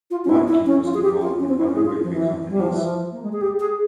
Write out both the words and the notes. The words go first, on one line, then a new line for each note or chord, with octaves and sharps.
Watkin was involved with other railway companies.
F4
C#4
E4
E4
C#4
F4
G#4
G4
F4
C#4
C4
E4
C#4
G#4
F4
F3
E3
G3
F3
E3
F3
A#3
G#3
G#4
G4
G#4